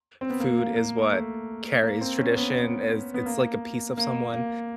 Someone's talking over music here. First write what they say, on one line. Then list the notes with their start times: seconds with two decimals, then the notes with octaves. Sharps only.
food is what carries tradition, as it's like a piece of someone,
0.21 C4
0.30 B3
0.40 A#3
0.58 A#3
0.76 A#3
1.12 A3
1.83 A#3
2.01 C4
2.18 C#4
2.37 B3
3.14 B3
3.26 A#3
3.97 A#3
4.33 A#3